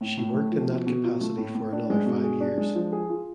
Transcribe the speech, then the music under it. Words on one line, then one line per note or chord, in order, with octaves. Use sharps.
She worked in that capacity for another five years.
A2
A2
A3
F3
B2
B2
F4
A3
A2
A2
D4
G#3
B2
G#4
D4
G#3
F3
G#4
F4